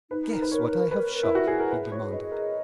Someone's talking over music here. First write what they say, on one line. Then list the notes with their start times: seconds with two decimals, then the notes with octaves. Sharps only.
"Guess what I have shot," he demanded.
0.11 D#4 B4
0.31 A#4
0.42 B4
0.51 A#4 C#5
0.91 A#4 B4
1.23 E4
1.32 F#4 E5
1.47 G#4
1.59 A#4
1.71 G#4 B4
1.92 C#5
2.11 B4 D#5
2.31 A#4